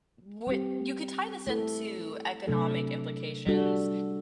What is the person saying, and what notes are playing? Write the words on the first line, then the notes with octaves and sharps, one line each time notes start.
what you could tie this into economic implications,
G3 C4 G4
A3 E4 A4
C3 F#3 A3 D4 A4
G3 D4 F#4 A4